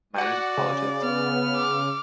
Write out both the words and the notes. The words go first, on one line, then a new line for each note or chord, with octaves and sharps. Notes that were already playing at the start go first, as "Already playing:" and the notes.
Matters of politics?
F#4 D5 F#5
C#3
B3 F6
D6